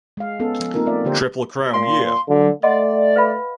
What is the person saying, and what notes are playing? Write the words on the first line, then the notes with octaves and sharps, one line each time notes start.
Triple Crown year.
G#3 F5
B3 C#4 A4
F3
A#3 C4 D#4 F4 A#4
A3 A#3 F4 D5 E5
D3 A#3 G4 C5
A#2 F5 G#5 C6
D3 F#3
A3 D5 D#5 F#5 C6
B4 F5 B5